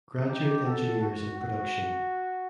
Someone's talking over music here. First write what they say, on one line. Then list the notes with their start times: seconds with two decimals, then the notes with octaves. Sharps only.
Graduate Engineers in Production.
0.28 D#4 G4
0.64 F#4 A4
1.01 F#4
1.38 F#4